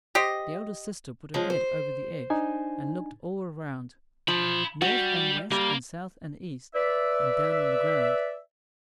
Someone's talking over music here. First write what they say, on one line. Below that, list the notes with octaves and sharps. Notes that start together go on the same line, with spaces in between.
The eldest sister put her head over the edge, and looked all around, north and west and south and east and down on the ground.
G4 C5 D#5
F3 G#3 C#4
C5
D4 D#4 G#5
F3 F5 B5
G3 F#4
G3 A#3
B4 D5 E5